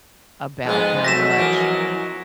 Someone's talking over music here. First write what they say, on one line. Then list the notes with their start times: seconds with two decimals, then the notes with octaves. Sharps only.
about how much
0.65 F2 G#2 G#3 B3
1.04 F#2 B2 F#3 A3 A#6 B6 E7
1.36 E3 F3 A#3